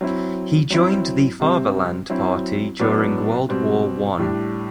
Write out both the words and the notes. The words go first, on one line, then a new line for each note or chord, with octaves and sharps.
He joined the Fatherland Party during World War One.
F#3 C4 E4
F#3 C4 E4
C3 G3 C4
F#3 C4 E4
A2 F#3 B3 D4
B2 G3 C4
A2 G3 D4